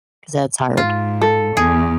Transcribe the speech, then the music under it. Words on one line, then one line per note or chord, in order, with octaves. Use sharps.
‘cause that's hard.
G#2 F4
A4
E2 G#4